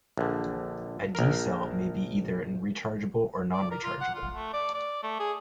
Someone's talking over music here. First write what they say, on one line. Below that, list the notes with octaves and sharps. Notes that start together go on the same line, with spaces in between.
A D cell may be either rechargeable or non-rechargeable.
A#1 D3
A#1 A#4
D5
A#4
F4
F#5
F4
A3
D5
D5
A3
G#4